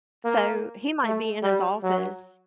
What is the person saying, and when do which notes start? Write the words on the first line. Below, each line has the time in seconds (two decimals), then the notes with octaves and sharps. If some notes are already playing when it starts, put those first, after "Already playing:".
so he might be in his office
0.25 A#3
1.04 A3
1.43 G3
1.83 F#3